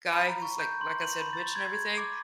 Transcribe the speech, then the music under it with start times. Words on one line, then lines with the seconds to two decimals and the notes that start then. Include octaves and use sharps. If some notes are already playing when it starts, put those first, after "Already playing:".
guy who's like like, I said, rich and everything.
0.13 B5
0.28 A#5
0.42 C#6
0.59 G6
0.81 C6
1.02 F#7
1.21 B5
1.33 A6
1.56 G#6
1.73 G#6
1.98 D6